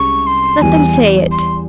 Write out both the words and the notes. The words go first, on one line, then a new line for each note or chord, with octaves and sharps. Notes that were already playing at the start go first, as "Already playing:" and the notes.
Let them say it.
Already playing: C2 G#3 C#4 C#6
C6
E2 E3 G3 G#5
C6